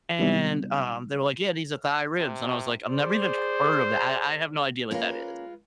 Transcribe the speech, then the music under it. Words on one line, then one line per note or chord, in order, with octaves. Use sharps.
And, um, they were like, "Yeah, these are thigh ribs." And I was like, "I've never even heard of that I I have no idea what that is."
C3 D#3 F#3 G3 B3 D#4
C3
G#4 C5 D5
G#3 A#3 C#4 F4 B4